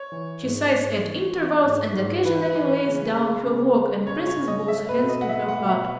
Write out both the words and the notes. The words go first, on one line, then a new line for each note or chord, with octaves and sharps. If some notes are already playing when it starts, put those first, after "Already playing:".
She sighs at intervals and occasionally lays down her work and presses both hands to her heart.
Already playing: C#5
E3
G#2
G#2
E3
E3
G#2
G#2
E3 B4
B4
E3
B4
C#3
G#3
C#3
G#3
C#3 C#5
C#5
C#3
D#5
A4 E5
B4
B2
D#5
F#5
A3 E5
F#5
B2
E5